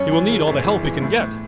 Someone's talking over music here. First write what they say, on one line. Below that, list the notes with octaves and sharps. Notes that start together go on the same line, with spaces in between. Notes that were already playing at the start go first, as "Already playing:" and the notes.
He will need all the help he can get!
Already playing: F#2 C#4
E3
C#3
G1
E3
E3
A2
A2